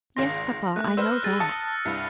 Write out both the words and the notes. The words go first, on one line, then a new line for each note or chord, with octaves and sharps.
"Yes, papa, I know that."
G#1 C#2 C6 A#6
A3 F#6
B4 C5 E6 F6
G#4 F#6 A6 D#7
A5 D#6 E6 A6 C#7
C2 G2